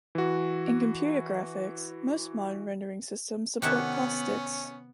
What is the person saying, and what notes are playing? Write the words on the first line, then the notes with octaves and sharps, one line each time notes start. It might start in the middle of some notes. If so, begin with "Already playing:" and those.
In computer graphics, most modern rendering systems support caustics.
E3 F#4
C3 D#3 B3 C#4 E4 G4 F#5 A5